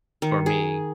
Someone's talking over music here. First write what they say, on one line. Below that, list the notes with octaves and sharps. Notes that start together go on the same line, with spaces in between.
for me,
D#3
G#4